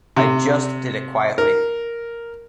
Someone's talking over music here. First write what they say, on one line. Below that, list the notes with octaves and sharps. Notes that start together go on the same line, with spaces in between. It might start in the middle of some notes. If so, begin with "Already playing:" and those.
I just did it quietly.
C3
A#4